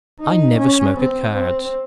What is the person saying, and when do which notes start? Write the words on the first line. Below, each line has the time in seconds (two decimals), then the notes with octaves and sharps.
"I never smoke at cards."
0.20 D#4
0.58 C#4
0.97 C4
1.34 C4